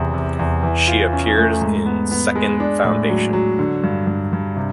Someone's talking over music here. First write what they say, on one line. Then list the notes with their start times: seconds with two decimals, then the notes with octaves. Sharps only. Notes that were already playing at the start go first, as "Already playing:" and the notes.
She appears in "Second Foundation".
Already playing: E2 C3
0.14 C3
0.39 E2
0.63 E3
0.88 F4
1.13 C#4
1.38 A3
1.61 G#2
1.86 B3
2.11 B3
2.35 G#3
2.60 D4
2.85 A2
3.09 F#3
3.33 F#3
3.59 D3
3.83 G2
4.07 G2
4.33 G2
4.57 C3